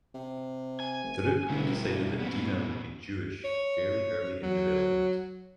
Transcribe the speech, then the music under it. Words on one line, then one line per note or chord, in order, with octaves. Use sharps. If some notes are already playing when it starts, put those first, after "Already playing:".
Druckmann decided that Dina would be Jewish fairly early in development.
C3
G#5
F1
F1 B2 G3 E4
G2
D#1 A#2 B3
C#5
F#3